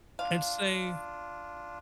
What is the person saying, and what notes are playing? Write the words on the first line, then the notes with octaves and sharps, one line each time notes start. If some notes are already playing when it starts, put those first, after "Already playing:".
And say
D4 F4 F5